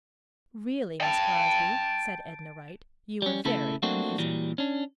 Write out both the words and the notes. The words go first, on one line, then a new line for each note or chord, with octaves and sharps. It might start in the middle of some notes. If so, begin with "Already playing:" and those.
"Really, Miss Crosby," said Edna Wright, "you are very amusing."
G5 A5
G3 C#4
C#3 A3 E4 A4
F#3 A3 A#3 C4 D4 F#4
A#2 E3 F#3 G3
C#4 D4